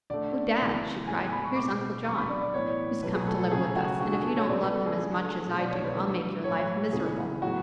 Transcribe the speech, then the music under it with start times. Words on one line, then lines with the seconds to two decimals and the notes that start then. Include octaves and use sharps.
"Oh, Dad," she cried, "here's Uncle John, who has come to live with us; and if you don't love him as much as I do I'll make your life miserable!"
0.10 D3 A3 D5
0.58 C#3 E3 A3
1.07 A2 G#3 B3 G#5
1.20 G#5
1.32 B5
1.44 C#6
1.56 B2 A3 D6
2.05 D3 F#3 B3 C#6
2.17 B5
2.29 D5
2.41 D5
2.54 A2 E3 B3 C#5
3.02 B2 F#3 A3 B4
3.15 G#4
3.26 A4
3.39 A4
3.51 C#3 F#3 A3 G#4
3.76 F#4
4.00 D3 A3 F#4
4.12 G#4
4.24 A4
4.36 C#5
4.49 C#3 G#3 B3 D5
4.62 B4
4.73 A4
4.86 G#4
4.98 D3 A3 G#4
5.23 A4
5.47 B2 F#3 A3
5.59 D5
5.71 C#5
5.83 B4
5.95 D3 A3 B4
6.44 A2 F#3 A3 C#5
6.93 C#3 E3 B3 G#4
7.41 A2 F#3 B3 F#4